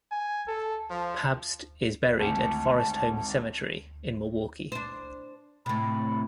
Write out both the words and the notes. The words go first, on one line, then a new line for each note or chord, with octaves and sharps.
Pabst is buried at Forest Home Cemetery in Milwaukee.
G#5
A4
F3
G#1 D2 A5 C#7
D4 C5
A2 C3 B5